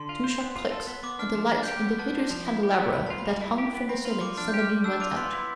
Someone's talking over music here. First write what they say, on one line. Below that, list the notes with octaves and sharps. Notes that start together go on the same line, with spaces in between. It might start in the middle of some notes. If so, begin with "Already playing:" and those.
Two sharp clicks and the lights in the hideous candelabra that hung from the ceiling suddenly went out.
Already playing: D3 C6
F4
C5
B3
F4
A4
B3
B3 D6
D4 F6
F3
D4 A6
G4 G6
B3
B3 A5
D4
F3
E4
G4
B3
B3 B5
F4 A5
B5
G3 A5
E4
G4
B3
C4 B5
F4 C6
F3 D6
D4 F6
G6
G4 F6
G3
D4 E6
F4 D6
B3 C6
E4